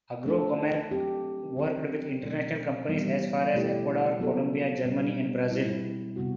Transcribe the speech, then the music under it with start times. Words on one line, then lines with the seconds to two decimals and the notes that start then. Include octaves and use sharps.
Agrokomerc worked with international companies as far away as Ecuador, Colombia, Germany and Brazil.
0.26 A3 D4 A4
0.91 F#3 C4 G4
1.57 D3 F#3 C4
2.23 B2 F#3 A3
2.88 E3 G3 B3
3.54 B2 A3 E4 G4
4.19 F#3 B3 F#4 A4
4.85 B2 G3 C4
5.50 B2 G3 C4 E4
6.16 C3 G3 B3 F#4